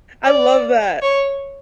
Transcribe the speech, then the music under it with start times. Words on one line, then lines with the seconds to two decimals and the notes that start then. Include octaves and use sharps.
I love that.
0.25 D5
1.02 C#5